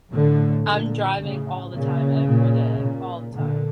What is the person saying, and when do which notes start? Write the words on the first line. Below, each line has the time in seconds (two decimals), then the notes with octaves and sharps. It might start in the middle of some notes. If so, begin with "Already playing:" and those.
I'm driving all the time, every day, all the time.
0.13 A2 D3
0.66 A#2 D3
1.20 A2 C#3
1.74 A#2 C#3
2.26 A#2
2.80 A#2
3.34 A#2 D3